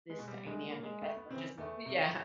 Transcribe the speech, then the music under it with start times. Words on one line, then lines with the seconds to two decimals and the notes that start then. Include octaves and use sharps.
this dynamic as much as I" Yeah.
0.10 G#3
0.19 B2
0.28 G3
0.46 C2 G#3
0.65 A#3
0.75 A#2
0.83 G#3
1.01 D2 A3
1.16 B3
1.30 C#3 E3 C4
1.58 E2 A3
1.86 C3 D#3